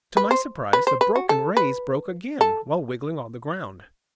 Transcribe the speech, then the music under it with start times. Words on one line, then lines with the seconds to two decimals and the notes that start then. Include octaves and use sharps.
To my surprise, the broken "rays" broke again while wriggling on the ground.
0.17 B4
0.31 C5
0.73 B4
0.87 C5
1.01 B4
1.16 F#4
1.29 A4
1.57 B4
2.41 A4